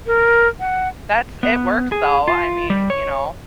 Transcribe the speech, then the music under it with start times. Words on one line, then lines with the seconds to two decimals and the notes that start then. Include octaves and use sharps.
That's it works, though, I mean, you know,
0.07 A#4
0.60 F#5
1.43 B3
1.92 G#4
2.28 F4
2.70 G3
2.90 C#5